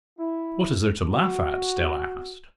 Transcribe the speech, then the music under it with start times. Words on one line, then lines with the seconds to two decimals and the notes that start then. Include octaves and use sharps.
"What is there to laugh at?" Stella asked.
0.18 E4
1.12 F#4